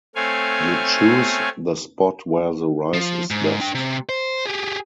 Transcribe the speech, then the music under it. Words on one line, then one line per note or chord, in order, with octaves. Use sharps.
You choose the spot where the rice is best.
A3 C4 C#5 F5 G#5
F3
G#2
D4 G5
C3
C5
G4 G#4